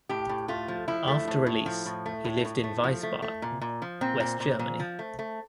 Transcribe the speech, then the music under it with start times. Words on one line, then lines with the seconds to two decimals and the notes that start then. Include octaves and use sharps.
After release he lived in Wiesbaden, West Germany.
0.09 A2 G4
0.29 A2
0.48 A3 F4
0.68 F3
0.88 F3 E4
1.08 A3
1.27 A2
1.47 A2
1.66 F3
1.86 A2
2.06 A3
2.24 A2
2.45 A2
2.64 A3
2.84 F3
3.03 A3
3.22 A3
3.42 A#2
3.61 A#2
3.82 F3
4.01 A#2 C4
4.20 A#2
4.40 A#2
4.59 A#2
4.79 F3
4.99 A3
5.19 A3